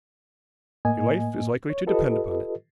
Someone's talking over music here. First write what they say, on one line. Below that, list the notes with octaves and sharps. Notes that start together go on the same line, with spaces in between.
Your life is likely to depend upon it.
A2 A#3 D#5 G#5
C#5
F4 G4 A4 B4 D#5